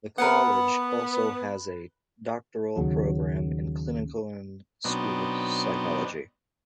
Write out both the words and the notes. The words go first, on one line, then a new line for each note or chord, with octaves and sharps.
The College also has a doctoral program in Clinical and School Psychology.
B3 A#4 B4 F#5
D#2 C#3 F#3
B2 F#3 B3 C4 D4 D#4